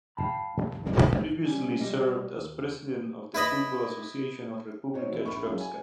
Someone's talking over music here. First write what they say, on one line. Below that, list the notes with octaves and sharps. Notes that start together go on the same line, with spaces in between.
He previously served as President of the Football Association of Republika Srpska.
F5 G5 A5 B5
G3 C#4
B1 G3 D#5
D#2
E4 B4 D#5 B5
D#4 F#4 C5 C#5
E3 F3 C4 D#4 E4 G#4
A#1 B5 C#6
F#3 G#3 C#4 E4 F4
G#5